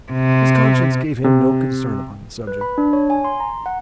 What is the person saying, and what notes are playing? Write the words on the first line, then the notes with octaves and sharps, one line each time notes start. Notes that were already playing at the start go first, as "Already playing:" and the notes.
His conscience gave him no concern upon the subject.
C3
C3
B4
B5
D4
C#5
G#5
C6
A#5
F#5